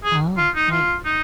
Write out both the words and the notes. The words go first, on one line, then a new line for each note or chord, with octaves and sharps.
Oh, right.
G#4
F4
D#4
F4
D#4